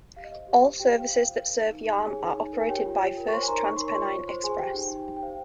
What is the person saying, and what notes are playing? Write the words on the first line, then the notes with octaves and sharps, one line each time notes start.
All services that serve Yarm are operated by First TransPennine Express.
G4 F5
D#5
C5 F5
G4
C5
F4 G4 G5
F5
C5 F5 G5
F4 F5
C5
A#4
D#4
D#4
G4
G#4 C#5 G#5
D#4
D#4
A#4
G#5
G4 C#5 G5
F4
F4
A#4
C#6
C5 C#5 C6
G#5
D#4 A#4 A#5
D#4 C#6
A#4 C6
C#5 C#6
F4
C5
F4 C5 C6
G#4 C5 G#5
G4 C5 G5
D#4
D#4
G4
G5
C5 F5